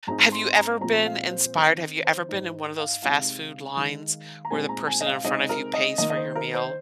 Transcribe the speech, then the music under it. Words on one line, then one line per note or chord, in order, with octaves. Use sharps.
Have you ever been inspired have you ever been in one of those fast food lines where the person in front of you pays for your meal,
G#2 G#3 C4 D#4 A#5
C6
A#5
A#2 F3 G#3 C4 A#5
F5
C5
D#3 C4 D#4
C5
G#2 G#3 D#4 C5
F5
C3 G#3 C4 D#4 F5
D#3 G#3 D#4
A#5
A#2 G#3 C4 D#4 G#5
A#5
G#5
D#5
F5
C3 G#3 C4 D#4 D#5
A#4
D#5
D#3 A#3 D#4 D#5
D#5
C5
A#4
C5